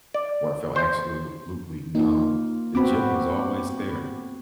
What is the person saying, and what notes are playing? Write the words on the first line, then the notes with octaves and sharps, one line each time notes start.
where I felt absolutely numb. The gym was always there,
D5
C5
A#3 D#4 F4
B3 C4 F#4 B5 D6